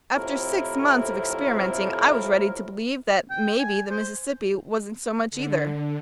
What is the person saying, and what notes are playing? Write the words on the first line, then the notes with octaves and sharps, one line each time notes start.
After six months of experimenting I was ready to believe that maybe the Mississippi wasn't so much either.
F2 A2 C3 E4 A#4
G5
G#5
C5
D3